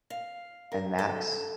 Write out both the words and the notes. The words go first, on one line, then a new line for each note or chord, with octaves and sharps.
And that's
F5
A#4
A4